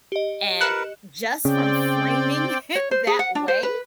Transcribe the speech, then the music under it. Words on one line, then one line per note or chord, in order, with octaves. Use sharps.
and just from framing it that way,
G4 D#5
A#4 B4 F#6 C#7 E7
C#3 C4 D5 G5
C#5
C5
G#4
F#5
D4
C5
B4